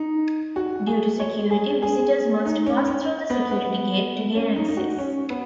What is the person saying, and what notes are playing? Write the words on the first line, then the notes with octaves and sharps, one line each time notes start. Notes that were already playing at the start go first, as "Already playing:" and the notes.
Due to security, visitors must pass through the security gate to gain access.
Already playing: D#4
F#4
G#4
C#5
G#4
G#4
D#4
C#4
C#4
B3
B3
C#4
D#4
D#4
F#4
C#4
B3